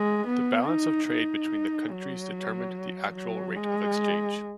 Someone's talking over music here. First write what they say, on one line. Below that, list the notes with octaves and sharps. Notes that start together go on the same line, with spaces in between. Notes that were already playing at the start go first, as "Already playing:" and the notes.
The balance of trade between the countries determined the actual rate of exchange.
Already playing: G#3
B3
D#4
D#4
F#3
F#3
G#3